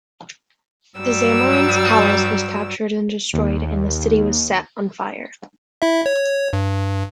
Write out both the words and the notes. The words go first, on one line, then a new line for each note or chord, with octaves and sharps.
The Zamorin's palace was captured and destroyed and the city was set on fire.
G2 F#3 G3 E6
D#2
E4 E5
C#5
G2